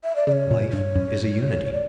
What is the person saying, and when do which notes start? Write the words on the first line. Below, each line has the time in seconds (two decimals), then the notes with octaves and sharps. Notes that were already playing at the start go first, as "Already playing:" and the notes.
Life is a unity.
0.04 E5
0.16 D5
0.27 C#3 D5
0.32 C#5
0.51 A#2
0.73 G2
0.96 F#2
1.65 C#5
1.73 D5